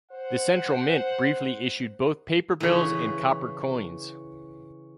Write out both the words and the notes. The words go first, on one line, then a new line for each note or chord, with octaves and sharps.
The Central Mint briefly issued both paper bills and copper coins.
C5 F#5
C#3 E3